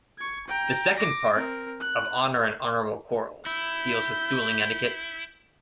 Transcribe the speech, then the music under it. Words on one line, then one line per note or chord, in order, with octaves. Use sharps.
The second part, "Of Honor and Honorable Quarrels"," deals with dueling etiquette".
C#6 G#6
G5 A#5
D6 A#6
C4 A#4
F#6
E4 G6